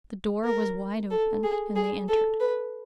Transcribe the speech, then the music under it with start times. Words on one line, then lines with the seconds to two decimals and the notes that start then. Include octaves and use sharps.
The door was wide open, and they entered.
0.44 A#4
1.10 A4
1.43 G#4
1.76 G#4
2.08 A4
2.40 B4